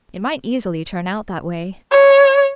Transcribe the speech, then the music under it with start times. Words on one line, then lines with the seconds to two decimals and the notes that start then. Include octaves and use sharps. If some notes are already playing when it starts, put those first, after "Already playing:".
It might easily turn out that way.
1.92 C#5